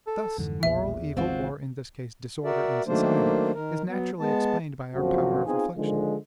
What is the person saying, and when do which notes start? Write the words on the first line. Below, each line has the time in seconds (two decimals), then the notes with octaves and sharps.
Thus, moral evil, or, in this case, disorder in society, is naturally explained by our power of reflection.
0.07 A4
0.38 F2 G#2 D3 E3
0.63 E1 A#1 E2 A#2 E5
1.17 A1 D#3 G#3 C4 F4 F#4
2.45 F#4 A#4 D5 E5
2.87 D#3 F#3 A3 A#3 D4 C5
3.54 D#3 A#4
3.88 F#3 B3
4.20 G#3 B3 A5
4.95 A#1 F#2 D3 F3 C4 F#4
5.46 B3 C4 D#4 F4 G#4
5.77 D3 D#3 F3 G#3